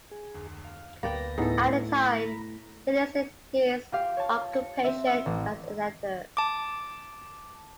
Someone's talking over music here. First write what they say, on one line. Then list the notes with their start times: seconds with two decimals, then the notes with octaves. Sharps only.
At the time, he listed his occupation as "editor".
0.11 G#4
0.65 F5
1.03 D2 A#3 B3 B4 D5 G5 A#6
1.38 A2 B3 D#4 G#4 A4
1.97 A#5 B5
3.92 F4 G4 F5
4.17 C#5 A5
4.53 C#7
4.84 C4 E5
5.07 E6
5.26 A1
6.37 A5 D6